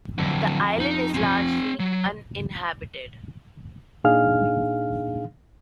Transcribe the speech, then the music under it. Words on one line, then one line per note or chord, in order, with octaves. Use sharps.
The island is largely uninhabited.
F2 D3 F#3
D#4
C4 G#5
F#3
A#2 D4 D#4 G#4 F5 F6